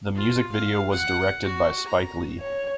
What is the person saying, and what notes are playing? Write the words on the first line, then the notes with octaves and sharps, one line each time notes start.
The music video was directed by Spike Lee.
F4
F5
F#5
F#4
A#5
C#5